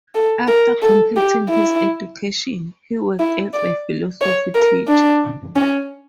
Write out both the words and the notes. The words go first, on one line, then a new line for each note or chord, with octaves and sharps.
After completing his education, he worked as a philosophy teacher.
A4
A#4
A4
G4
E4
E4
D5
C#5
A#4
D4
C#4